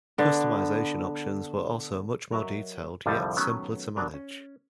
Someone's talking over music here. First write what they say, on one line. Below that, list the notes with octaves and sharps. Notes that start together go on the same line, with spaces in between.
Customisation options were also much more detailed yet simpler to manage.
D3 B3
F#3 A#4 D#5 E5
C2 F2 D3 F3 G3 A4
D#3 F#3 A3 B3 C#4 B4
B2 F#3 D4 A#4
C#4